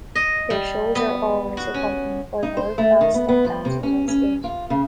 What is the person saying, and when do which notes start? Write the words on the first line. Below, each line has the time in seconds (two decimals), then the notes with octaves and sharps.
Their shows are always accompanied by world-class step dancers on stage.
0.15 D#5
0.50 G3
0.95 B3
1.57 F#4
1.74 C#4
2.43 D#4
2.57 C5
2.78 A3
3.01 D#3
3.14 B3
3.29 B3
3.45 F3
3.65 C3
3.83 C#4
4.08 C#4
4.44 F4
4.70 C#3